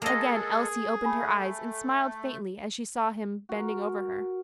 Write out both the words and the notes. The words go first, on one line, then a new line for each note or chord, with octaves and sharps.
Again Elsie opened her eyes, and smiled faintly as she saw him bending over her.
G#3 A#3 G#4 A4 D#5
A3 G#5 B5
F#4 A#4